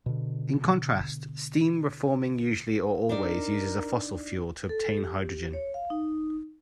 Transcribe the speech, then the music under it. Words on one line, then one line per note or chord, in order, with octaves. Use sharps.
In contrast, steam reforming usually or always uses a fossil fuel to obtain hydrogen.
B2 D3
D4 D#4 A#4 D5
A4
G4
C#5
F5
D#4